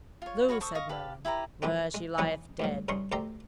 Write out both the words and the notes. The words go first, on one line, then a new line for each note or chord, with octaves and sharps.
Lo, said Merlin, where she lieth dead.
F4 C#5
F#4 B4 C#5 F5
A4 C5 C#6 D#6
D#5 F5 C#6
G4 B4 F5 A5
E4 G4 B4 A#5
E3 F3 G#3 A#3 C4
G#3
E3 F#3 G#3 B3 D#4
D2 G2 F#3
G2 C#3 D#4 C6 C#6
D2 G4 D5 E5 A#5 C6